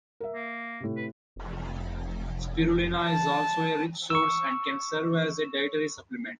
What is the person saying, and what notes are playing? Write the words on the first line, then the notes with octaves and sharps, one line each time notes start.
Spirulina is also a rich source and can serve as a dietary supplement.
A#4 E5
A#3
A2 C3
B4
F1
A5
C#6 E6